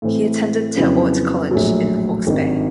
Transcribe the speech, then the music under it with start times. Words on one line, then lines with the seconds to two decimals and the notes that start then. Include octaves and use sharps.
He attended Te Aute College in Hawkes Bay.
0.02 A2 E3 A3 C4
0.77 F2 C#3 F#3 B3 E4
1.51 A#1 A2 F#3
2.27 G#1 G2 D#3